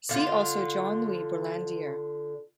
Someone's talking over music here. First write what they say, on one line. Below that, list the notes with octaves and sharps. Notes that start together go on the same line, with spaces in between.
See also Jean-Louis Berlandier.
D3 F4